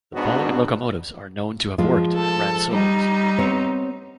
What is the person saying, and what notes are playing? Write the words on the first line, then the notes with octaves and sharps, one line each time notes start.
The following locomotives are known to have worked at Ransomes.
C#2 G#2 B3 D4 F#4
F3 G#3 F4
A4
G3 D#4
B3 C4 C#5